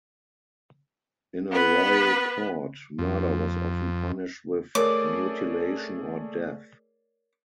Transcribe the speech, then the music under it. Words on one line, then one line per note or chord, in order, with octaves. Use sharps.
In a royal court, murder was often punished with mutilation or death.
B3 B4
F2
A3 G#4 A#4 C#5 D5 D6